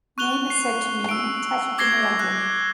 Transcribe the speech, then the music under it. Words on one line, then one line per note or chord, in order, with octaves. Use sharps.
Name is said to mean Tatterdemalion.
C#6 F#6 F7 G7
C7
E6 D7
D6 G#6 A#6 C7 G7
F#6